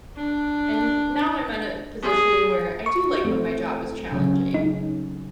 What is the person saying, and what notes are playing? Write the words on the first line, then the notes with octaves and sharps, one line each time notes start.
And now I'm at a position where I do like when my job is challenging,
D4
G#4
C#6
A3 C4
C#3 F#3 C#4
D#4